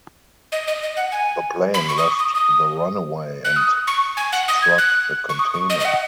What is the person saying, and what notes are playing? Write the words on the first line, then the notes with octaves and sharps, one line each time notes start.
The plane left the runway and struck a container.
D#5
D#5
D#5
F#5
G#5
B5
C#6
D#6
C#6
D#6
D#6
F#6
D#6
C#6
G#5
F#5
D#6
G#6
F#6
C#6
D#6
C#6
D#5
D#5
F#5